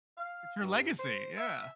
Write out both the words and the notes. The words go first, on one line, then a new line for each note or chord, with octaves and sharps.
It's her legacy, yeah.
F5
G2
C5
E5